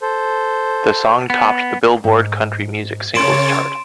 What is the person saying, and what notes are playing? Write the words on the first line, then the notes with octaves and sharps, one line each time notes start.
The song topped the "Billboard" country music singles chart.
A4 C5
B3
G#2
C#3 A#4 C#5 C6 A6 D7 E7